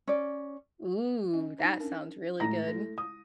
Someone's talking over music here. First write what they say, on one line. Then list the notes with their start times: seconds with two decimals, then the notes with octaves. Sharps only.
Ooh. That sounds really good.
0.07 C#4 D5
1.33 C#4 D#5
1.58 D4 D#4 C5
1.80 C#4 D4 A#4
2.40 A2 G#3 A#5 A#6
2.68 A3 E4
2.98 D#6